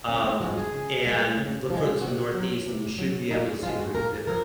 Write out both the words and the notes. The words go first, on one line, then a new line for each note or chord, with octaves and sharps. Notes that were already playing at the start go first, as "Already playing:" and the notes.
Um, and look towards the Northeast and you should be able to see the Big Dipper.
C#3 C#4
C4
F3 G#3 F#4
G#4
C#3
F3 G#3
C#3
F3 G#3
C3 F#4
F#3
C3
F#3
A#2 D#4
F3 G#3 F4
F#4
A#2 A#4
F3 A#4